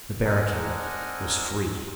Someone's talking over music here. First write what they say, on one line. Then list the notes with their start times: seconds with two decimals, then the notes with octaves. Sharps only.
The barricade was free.
0.25 C4 D4 D#4 A#4 F#5 G#5